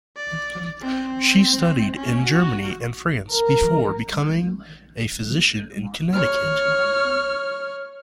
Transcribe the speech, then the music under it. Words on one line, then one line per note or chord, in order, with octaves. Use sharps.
She studied in Germany and France before becoming a physician in Connecticut.
D5
C4
C#4
F#4
A#4
C#5 F6